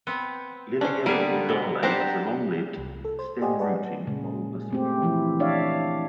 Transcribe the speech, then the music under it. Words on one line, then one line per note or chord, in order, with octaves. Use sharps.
"Lilium regale" is a long-lived, stem-rooting bulbous plant.
B3 C4
C#4 D4 C5
D3 G3 A#3 B3 G#4 B4 A5
B2
B3 C4 D4 G4 C5 A5 A#5
C2
A4
C5
G4 C5 D5 D#5 F#5 G#5
G#4 B4 C#5 D5 F#5 A5
A#2 C#3 G#3
A3 C4 G4
E3 F3 C4 E4
D4 C#5 D5 E5 F5